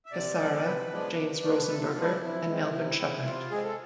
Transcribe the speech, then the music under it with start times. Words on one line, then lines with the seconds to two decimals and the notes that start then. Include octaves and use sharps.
Cassara, James Rosenberger and Melvin Sheppard.
0.06 E5
0.12 C3 D5
0.38 F3 G#3 B3 D4
0.64 C3 B4
0.90 F3 G#3 B3 D4
1.16 C3
1.42 F3 G#3 B3 D4
1.68 C3 A4
1.87 F4
1.95 F3 G#3 B3 D4
2.03 E4
2.21 C3
2.47 G#3 C4
2.73 C3
2.98 G#3 C4
3.25 C3 F4
3.51 G#3 C4 G#4
3.64 A4